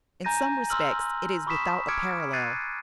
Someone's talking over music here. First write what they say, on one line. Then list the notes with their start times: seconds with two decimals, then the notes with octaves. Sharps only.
In some respects it is without a parallel.
0.24 G#5 A#5 G6 A6 A#6 D#7
0.69 C6 E6 F6 F#7
1.46 B5 C#6 D#6 F6 B6 E7
1.88 D6 E6 F6 G#6 C#7 D7
2.33 F#6 G#6 A6 C7 C#7 D#7